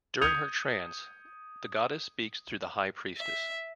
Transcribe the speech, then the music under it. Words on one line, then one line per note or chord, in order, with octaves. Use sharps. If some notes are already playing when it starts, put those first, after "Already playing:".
During her trance, the Goddess speaks through the High Priestess.
D#6 G6 G#6 C#7 D#7 F7
E5